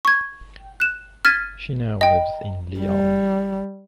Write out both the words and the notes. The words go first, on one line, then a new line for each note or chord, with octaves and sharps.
She now lives in Lyon.
C#6 G#6
F#6 E7
F6 G#6 A6 B6 D#7
D#5 G5
G3